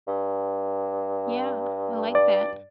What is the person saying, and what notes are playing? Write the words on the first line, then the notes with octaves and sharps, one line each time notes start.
Yeah, I like that.
G2
D5